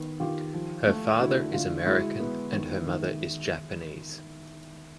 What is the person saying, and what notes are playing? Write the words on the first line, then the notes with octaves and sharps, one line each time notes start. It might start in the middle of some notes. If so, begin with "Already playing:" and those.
Her father is American and her mother is Japanese.
Already playing: D#3 B3
D#3 F4 G4
F3
A3
D3 E4 F#4
D3 F4
G#3 E4 F#4
B3
D#3
D#3